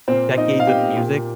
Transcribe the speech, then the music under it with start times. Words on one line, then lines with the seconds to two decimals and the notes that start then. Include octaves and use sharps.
decades of music
0.08 A#2 A#3 C4 C5
0.38 D#4 D#5
0.60 F5
0.67 G4 G5
0.96 A#2 A#3